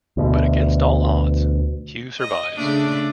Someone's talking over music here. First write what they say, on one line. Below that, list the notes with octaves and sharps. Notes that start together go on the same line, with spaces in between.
But against all odds - Hugh survives.
D2 B2
D#5
C#3 A3 D4